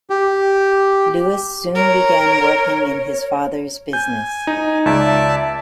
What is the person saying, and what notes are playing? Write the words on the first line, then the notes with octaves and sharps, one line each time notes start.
Lewis soon began working in his father's business.
G4
A#4 C#5
G#5 G6
D#4
C#2 D5 E5 A5